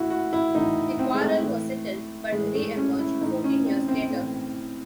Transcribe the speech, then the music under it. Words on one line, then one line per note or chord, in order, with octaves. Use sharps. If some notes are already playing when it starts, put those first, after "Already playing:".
The quarrel was settled, but reemerged fourteen years later.
Already playing: A2 E3 E4 F#4
F#4
E4
A2 E3 D#4
C4
G#3
A3
A2 E3
A2 E3 G#3
A3
C#4
E4
A2 E3 D#4
C#4
C4
C4
A2 E3